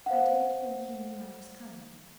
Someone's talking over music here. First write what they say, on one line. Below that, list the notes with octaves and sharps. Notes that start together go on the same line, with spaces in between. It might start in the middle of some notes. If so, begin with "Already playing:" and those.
"I don't think he knew I was coming."
C5 F5 F#5